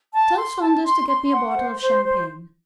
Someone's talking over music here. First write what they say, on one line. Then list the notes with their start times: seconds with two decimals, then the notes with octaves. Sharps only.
Tell Saunders to get me a bottle of champagne.
0.13 A5
0.37 C6
0.61 A5
0.85 C6
1.08 C6
1.33 F#5
1.56 C5
1.80 C5
2.04 C5